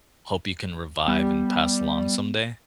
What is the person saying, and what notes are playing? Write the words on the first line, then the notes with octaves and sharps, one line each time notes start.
hope you can revive and pass along someday?
G3 B3